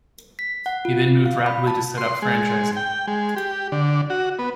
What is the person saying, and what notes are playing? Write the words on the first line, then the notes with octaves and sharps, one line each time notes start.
He then moved rapidly to set up franchising.
B6
F#5
F4
F5
B5
A5
C6
G#3
G5
G#3
G4
D3
F#4
B3